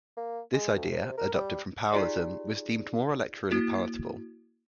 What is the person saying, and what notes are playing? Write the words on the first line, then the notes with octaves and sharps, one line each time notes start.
This idea, adopted from Powellism, was deemed more electorally palatable.
A#3
G#3
D2
C3
A#4
G3
D#4 F4 G4 G#4 D5
A#3 E4 F#4